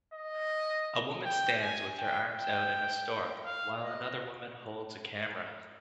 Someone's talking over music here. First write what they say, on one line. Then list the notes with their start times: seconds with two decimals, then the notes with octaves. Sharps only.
A woman stands with her arms out in a store while another woman holds a camera.
0.13 D#5
1.25 G5
1.60 G#5
1.97 G5
2.35 G5
3.45 F5
3.83 D#5